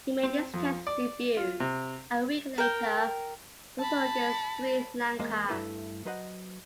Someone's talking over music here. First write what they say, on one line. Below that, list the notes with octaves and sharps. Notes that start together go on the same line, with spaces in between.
He made his Test debut a week later also against Sri Lanka.
C4
F2
D5
F4
C3
A#4 G5
A5 B5
E2 G#3 A#3 C5 D#5
G2 B2 A3 E4 A4 B4
F#3 B4 C5 D#5 F#5